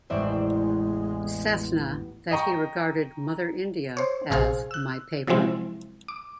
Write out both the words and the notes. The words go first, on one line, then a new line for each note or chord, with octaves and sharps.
Sethna that he regarded 'Mother India' as "my paper".
A1 E2 G#3 C5 D5 E5
D#5 G5 A#5 C#6
C5 C#5
A#1 C3 G#4 C5 F5
E6 F#6
C3 F3 F#3 G#3 C4 E4
D6